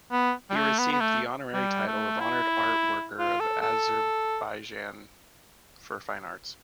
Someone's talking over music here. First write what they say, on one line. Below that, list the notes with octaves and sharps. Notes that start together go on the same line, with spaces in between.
He received the honorary title of Honored Art Worker of Azerbaijan for fine arts.
B3
G3
A3
B3
B3
A3
G3
A3
E4
F4
A4
A4